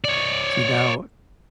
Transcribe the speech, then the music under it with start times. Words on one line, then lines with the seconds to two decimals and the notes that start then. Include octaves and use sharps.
see, now
0.04 C#5 D5